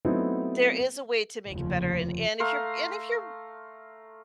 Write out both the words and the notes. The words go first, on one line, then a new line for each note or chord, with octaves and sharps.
there is a way to make it better, and and if you're and if you're
F#3 A3 B3 C4 D#4 E4
F1 D#2 C#3 F3
A3 F5 A#5 C6